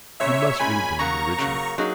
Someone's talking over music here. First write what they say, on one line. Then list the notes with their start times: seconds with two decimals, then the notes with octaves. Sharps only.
You must read them in the original.
0.20 A#2 G#3 C#4 C#5 E5
0.59 A#2 G#3 C#4 G#5 B5
0.99 C#3 F#3 A#3 A#5 C#6
1.38 C#3 F#3 A#3
1.78 F#3 A#3 D#4 G#4